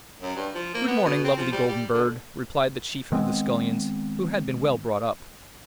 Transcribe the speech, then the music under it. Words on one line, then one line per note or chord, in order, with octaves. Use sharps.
'Good-morning, lovely golden bird,' replied the chief of the scullions, who had been well brought up.
F#2
G2
F3
A#3
B3
B2
C4
F3
G3
G3
D3
D#3 G#3 B3 C4